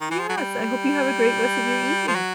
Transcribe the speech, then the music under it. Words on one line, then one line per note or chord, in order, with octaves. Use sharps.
Yes. I hope you have a great rest of your evening.
D#3
E3
F3
F#3
G3
F3
F#3